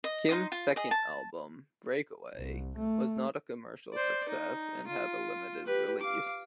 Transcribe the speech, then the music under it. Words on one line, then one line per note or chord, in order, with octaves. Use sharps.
Kim's second album, "Breakaway", was not a commercial success and had a limited release.
D#5
D#4 F4 C6 D#6
F4
G#4 D#5
A5
C2
A3
C5 D5
D#4
F4
G4 B4
F5 D6